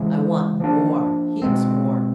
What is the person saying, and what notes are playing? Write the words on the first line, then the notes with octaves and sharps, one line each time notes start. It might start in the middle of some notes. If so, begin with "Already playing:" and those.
'I want more,--heaps more.
Already playing: C#3 E3 G#3
F3 A#3 D4
B2 G#3 C4